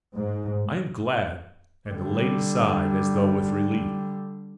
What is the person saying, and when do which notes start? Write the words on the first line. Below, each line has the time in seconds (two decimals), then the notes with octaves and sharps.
"I am glad," and the lady sighed as though with relief.
0.15 G#2
1.90 D3 G3